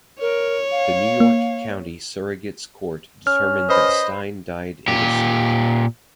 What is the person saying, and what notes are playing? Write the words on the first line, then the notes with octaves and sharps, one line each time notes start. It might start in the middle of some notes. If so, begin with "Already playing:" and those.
The New York County Surrogate's Court determined that Stein died intestate.
A#4 C#5
F5
A#3
C#4 F6
B4 C5 D#5 B5
A#2 G4